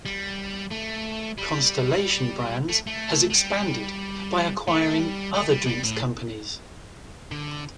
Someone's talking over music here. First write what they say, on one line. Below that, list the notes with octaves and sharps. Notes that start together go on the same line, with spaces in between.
Constellation Brands has expanded by acquiring other drinks companies.
G3
A3
G3
A3
A3
A3
G3
A3
G3
A3
G3
G3
A2
D3